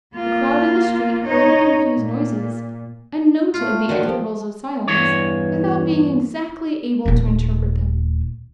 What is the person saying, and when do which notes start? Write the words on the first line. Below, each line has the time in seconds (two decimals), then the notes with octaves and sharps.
The crowd in the street heard the confused noises, and noted the intervals of silence, without being exactly able to interpret them.
0.15 A#3 F4
1.24 D#4 C#5
1.96 A#2
3.54 A3 F4
3.89 D3 D#3 F3 F#3
4.03 F3 G4
4.88 E2 G2 E3 C#5
7.06 D#1 A3